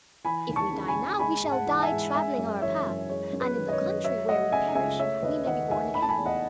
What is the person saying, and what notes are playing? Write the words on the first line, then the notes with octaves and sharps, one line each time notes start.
If we die now, we shall die travelling our path, and in the country where we perish we may be born again.
E3 G#5 B5
D#2
A5 C#6
C#3
G#5 B5
D#2
G#3 G#5 B5
G#2
F#5 A5
E3
A5
E5 G#5
G#2
G#3 E5 G#5
F#2
E3 C#5 E5
F#2
G#3 C#5
F#2
B4
D#3
D#5
C#5
F#2
F#3 C#5 E5
A3 D#5 F#5
C#3 E5 G#5
C#2 E5 G#5
A3 C#5 E5
D#2 B4 D#5
D#3 D#5 F#5
D#2 E5 G#5
A3 B5
A5
G#5 B5
E2
D#5 F#5